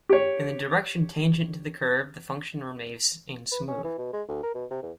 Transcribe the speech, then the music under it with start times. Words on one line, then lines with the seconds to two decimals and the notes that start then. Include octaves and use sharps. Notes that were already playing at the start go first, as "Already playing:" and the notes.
In the direction tangent to the curve, the function remains smooth.
0.09 G4 C#5
3.52 B4
3.68 C#4
3.84 E3
3.98 B2
4.13 G#3
4.29 D2
4.43 A#4
4.55 B2
4.71 C3
4.83 E2